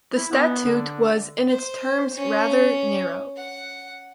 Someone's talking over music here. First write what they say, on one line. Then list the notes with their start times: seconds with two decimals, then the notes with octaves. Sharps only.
The statute was in its terms rather narrow.
0.16 E4
0.32 B3
0.66 D3
1.48 C5
2.14 C#4
3.36 F#5